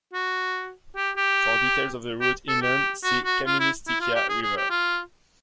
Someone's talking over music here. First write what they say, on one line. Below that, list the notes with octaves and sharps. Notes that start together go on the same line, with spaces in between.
For details of the route inland see Kaministiquia River.
F#4
G4
G4
G4
A4
G4
F#4
F#4
F4
E4
E4
F4
G4
G#4
G#4
G4
F4